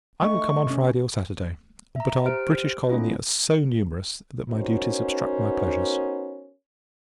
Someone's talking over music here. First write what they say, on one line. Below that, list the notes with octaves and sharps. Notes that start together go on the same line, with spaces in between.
I will come on Friday or Saturday; but our British colony are so numerous, that my duties obstruct my pleasures.
A3 D4 D#5 C#6
C3 C#4
E5 A#5
G4 C5 F6 D7
A3 C4 D4 E4 F4
B3 C#4 D#4 F#4 A#4 C5